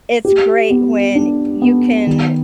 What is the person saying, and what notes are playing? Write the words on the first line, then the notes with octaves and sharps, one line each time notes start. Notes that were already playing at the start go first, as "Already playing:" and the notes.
it's great when you can
G4
B3
D4
B3
D#3